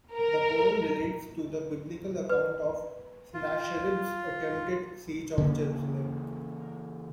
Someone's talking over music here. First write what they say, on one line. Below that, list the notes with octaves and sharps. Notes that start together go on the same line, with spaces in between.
The poem relates to the Biblical account of Sennacherib's attempted siege of Jerusalem.
A#4
B4
F4
C#3 E3 A#3 C#4